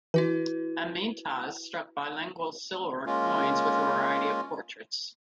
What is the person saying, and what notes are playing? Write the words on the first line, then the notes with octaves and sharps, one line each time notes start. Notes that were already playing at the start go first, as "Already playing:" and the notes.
Amyntas struck bilingual silver coins with a variety of portraits.
E3 E4 F#4 B4
G#3 A#3 C#4 F4